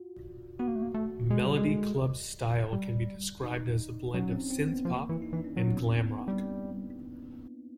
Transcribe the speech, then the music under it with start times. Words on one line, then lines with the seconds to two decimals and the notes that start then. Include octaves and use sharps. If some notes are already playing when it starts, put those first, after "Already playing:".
Melody Club's style can be described as a blend of synthpop and glam rock.
Already playing: F4 F#4
0.59 B3 F#4
0.68 A#3
0.76 A3
0.83 A#3
0.94 A3
1.30 G#3 G#4
1.37 A4
1.44 G3 G#4
1.57 G#3
2.73 G3
3.43 D#4
4.14 F#3 C#4
4.31 C4
4.50 C4
4.68 B3
4.85 F3 A#3
5.09 E3 E4
5.22 D#4
5.33 E3 D4
5.45 C#4
5.56 F#3 C4
5.74 B3
5.91 B3
6.09 B3
6.28 G3